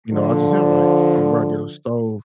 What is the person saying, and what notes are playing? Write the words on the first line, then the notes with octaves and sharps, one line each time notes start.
you know, I just, have, like, a regular stove,
D3 F3